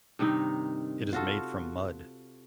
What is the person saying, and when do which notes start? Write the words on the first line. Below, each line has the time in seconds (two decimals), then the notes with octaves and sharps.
It is made from mud.
0.19 G2 C3 D#3 D#4
1.13 F4 F#4 A4